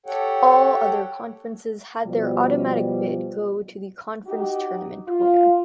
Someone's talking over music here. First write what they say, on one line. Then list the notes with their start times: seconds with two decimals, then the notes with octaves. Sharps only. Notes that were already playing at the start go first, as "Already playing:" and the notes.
All other conferences had their automatic bid go to the conference tournament winner.
0.06 G4 A4 C#5 F#5 G5
2.04 B2 F3 G3
4.27 D#4 F#4 G4
5.08 F4